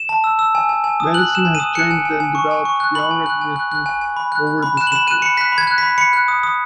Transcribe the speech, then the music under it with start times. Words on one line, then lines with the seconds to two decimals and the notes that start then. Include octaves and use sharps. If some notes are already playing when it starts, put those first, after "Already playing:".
Medicine has changed and developed beyond recognition over the centuries.
Already playing: E7
0.09 A5
0.24 E6
0.39 E6
0.55 G#5
0.69 G#5
0.84 G#5
1.00 D#6
1.14 F#6 F#7
1.29 F#6
1.35 E7
1.45 G#5
1.55 D#7
1.60 D#6
1.75 F#6 C#7
1.91 G#5
2.05 G#5
2.20 G#5
2.35 C#6
2.51 G#5
2.65 C#6
2.80 F#6
2.95 B5 F#7
3.11 G#5
3.26 F#6
3.41 G#5
3.56 F#6
3.72 F#6
3.86 G#5
4.01 G#5
4.17 B5
4.32 F#6
4.47 F#6
4.63 B5
4.77 F#6 E7
4.87 F#7
4.92 B5 E7
5.07 F#6 D#7
5.22 B5 C#7
5.37 F#6 B6
5.52 B5
5.58 G#6
5.67 F#6
5.78 B5 B6
5.98 B5 C#7
6.13 F#6
6.28 D#6
6.43 D#6